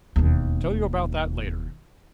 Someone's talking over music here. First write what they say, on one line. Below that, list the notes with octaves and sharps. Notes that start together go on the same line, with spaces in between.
"Tell you about that later."
E1 D#2